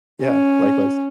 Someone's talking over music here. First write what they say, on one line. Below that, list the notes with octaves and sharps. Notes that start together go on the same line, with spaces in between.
Yeah, likewise.
C#4